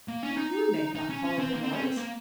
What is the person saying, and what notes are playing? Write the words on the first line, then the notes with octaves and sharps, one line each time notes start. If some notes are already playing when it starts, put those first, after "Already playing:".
"Did you make that horrible noise?"
A#3
C#4
D#4
D#4
C#4
C#4
C4
A#3
C4
C#4
C4
A#3